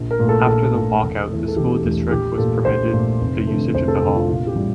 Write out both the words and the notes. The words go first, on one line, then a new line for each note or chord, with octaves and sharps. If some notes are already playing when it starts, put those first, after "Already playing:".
After the walkout the school district was permitted the usage of the hall.
Already playing: A#1
A#4
A#2 A3
A4
A#1 A4
A#2 A3
E1
E2 E3 A3
A4
E1 G4
E2 E3 A3
A#1 G4
A#2 A3 A4
A#1 C5
A#2 A3
F1
F2 D3 A3
F1 C5
A4
F2 D3 A3
F4
A#1 F4
G4
A2 E3 G3